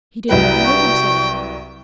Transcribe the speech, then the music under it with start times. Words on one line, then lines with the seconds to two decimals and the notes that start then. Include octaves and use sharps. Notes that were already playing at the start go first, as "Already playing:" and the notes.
He did not know himself.
0.29 C2 F#3 B4 G5
0.65 C#6